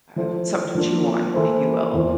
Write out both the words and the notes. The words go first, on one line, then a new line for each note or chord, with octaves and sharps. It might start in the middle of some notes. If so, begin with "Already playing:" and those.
um, something to chew on, if you will.
F3 A3 E4 A4 C5
F3 A#3 D4 F4
E3 A#3 E4 A4 C5
E2 E3 A#3 F4 C5